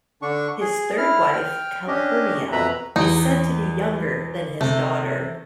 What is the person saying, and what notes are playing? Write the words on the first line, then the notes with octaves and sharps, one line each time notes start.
His third wife Calpurnia is said to be younger than his daughter.
D3 D4 C#6
G#4
E4 F6
G5 F6
C#4 D4 G4 D#5
F2 B2 B4 E5 A#5 B5
E2 D#4
C3 A3